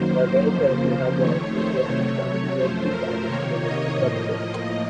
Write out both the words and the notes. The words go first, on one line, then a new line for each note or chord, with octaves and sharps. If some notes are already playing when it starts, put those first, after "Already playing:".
In organic chemistry, hydrolysis reactions often give two fragments from an initial substrate.
Already playing: F#2 D#3 F#3 A#3 C5
F2 C#3 F3 A#3
F2 D#3 A3 C#5
C5
C3 F#3 A3 C#5
F#2 F3 A3 C5
A#4
C3 D#3 A#3 C#5
D#5
A2 F3 A#3